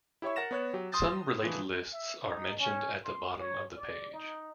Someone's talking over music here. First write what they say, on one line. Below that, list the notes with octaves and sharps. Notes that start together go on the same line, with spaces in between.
Some related lists are mentioned at the bottom of the page.
E4 G4 C#5 E5 C#6
A#4 F#5 A6 A#6 E7
B3 C#5 F#6
F#3 G4
C6 D#6 G6 A6
E3 F3 D4
E5
D#4
C#4
C6
C#5
D5
D#4